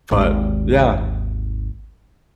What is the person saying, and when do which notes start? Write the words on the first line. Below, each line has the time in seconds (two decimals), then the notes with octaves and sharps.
but yeah.
0.11 G#1 D#2